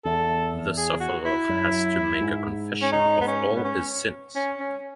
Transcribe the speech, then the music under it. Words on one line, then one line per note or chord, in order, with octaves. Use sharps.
The sufferer has to make a confession of all his sins.
E2 A4
G#4
F#4
E4
F#2
G#2
C#4
D#4
B3
C#4
B3
C#4
C#4
C#4